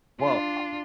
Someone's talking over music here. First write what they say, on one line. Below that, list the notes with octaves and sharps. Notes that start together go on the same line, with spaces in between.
Well, ah
D4 F4